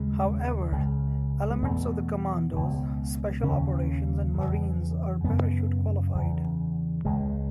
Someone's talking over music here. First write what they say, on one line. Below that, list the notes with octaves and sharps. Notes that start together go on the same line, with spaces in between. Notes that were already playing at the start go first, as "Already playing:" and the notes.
However, elements of the commandos, special operations and marines are parachute qualified.
Already playing: D#2 C#3 G#3
C#2 C#3
G#3
E2 B2 A3
C#2 B2
D#2 C#3 C#4
E2 C#3
F#2 C#3 B3
E2 C#3
C#2 C#3 G#3